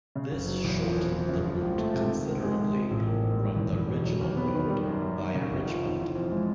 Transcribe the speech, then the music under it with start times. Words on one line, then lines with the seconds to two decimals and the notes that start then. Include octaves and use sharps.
This shortened the route considerably from the original road via Richmond.
0.15 C#3
0.32 F#1
0.47 F#3
0.64 E2
0.81 F3
0.97 F2
1.12 F2
1.29 C#3
1.45 F3
1.61 C#2
1.78 A3
1.94 C3
2.10 D#3
2.26 C#2
2.42 G#3
2.59 C3
2.75 F3
2.91 A1
3.08 A#3
3.23 G#2
3.40 G3
3.56 E2
3.72 E2
3.88 B2
4.05 F#3
4.20 D#2
4.37 B3
4.54 D#3
4.70 G3
4.86 F#2
5.02 F#2
5.18 D#3
5.34 C#3
5.51 F1
5.66 F3
5.83 D#2
6.00 E3
6.15 F2
6.31 G#3